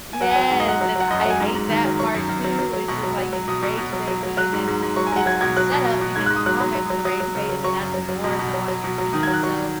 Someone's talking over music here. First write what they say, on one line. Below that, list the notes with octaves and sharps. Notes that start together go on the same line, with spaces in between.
Yes, and I hate that part too. It's just, "Why you rage bait me?" and then it's a setup because you comment on the rage bait, and then that's more so on your feed, so,
G#5
F#3 F#5
G#5
F#3
G#5
G#2 F#5
D#5
F#3 F#5
F#3
F#3 F#5
F#2 D#5
F#5
F#3
G#5
G#2
G#2
D#3
F#3
F#3 C#6
F#2
F#2
F#3
F#3
F#3
B2 C#6
F#3
F#3
F#3
B2 D#6
B2
B2
F#3
F#3
F#3
F#3 F#6
G#2
G#2
G#2
F#3 C#6
G#5
F#3 F#5
F#3 G#6
B2 G#6
F#3 F#6
B2
B2
B2
G#2 G#6
F#6
G#2
D#6
F#3 F#6
F#3
F#3
F#3
F#3 D#6
F#3
C#3
F#3
F#3 C#6
F#2
F#3
F#3
B2
B2
F#3
F#3
B2
F#3
D#3 D#6
G#6
F#3
F#6
F#3 C#6